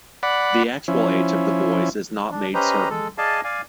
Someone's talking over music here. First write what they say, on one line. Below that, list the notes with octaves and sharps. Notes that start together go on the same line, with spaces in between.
The actual age of the boys is not made certain.
D5 F#5 B5
F3 C#4 E4
D4
C#4 G4 B4 C5 D#5 A#5
G#3 A4
G#4 D5 D#5 F5 G#5 A5
D5 F5 G#5